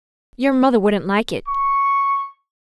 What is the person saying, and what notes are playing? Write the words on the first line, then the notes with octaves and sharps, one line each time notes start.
"Your mother wouldn't like it."
C#6